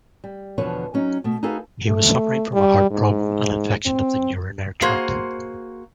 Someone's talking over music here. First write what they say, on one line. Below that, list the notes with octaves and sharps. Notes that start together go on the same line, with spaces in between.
He was suffering from a heart problem and infection of the urinary tract.
G3
E2 B2 D3 F3 B4 C#5
F#3 C#4 D#4
B2 A3
D#4 F#4 G#4 A4 B4 F5
A3
G3
G#2
C4
A#3 F#4 G#4 C5